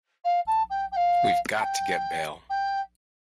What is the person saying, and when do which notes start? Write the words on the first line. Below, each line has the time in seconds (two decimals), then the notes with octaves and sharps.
We've got to get bail.
0.24 F5
0.47 A5
0.70 G5
0.92 G5
0.96 F5
1.59 A5
1.63 G5
2.50 G5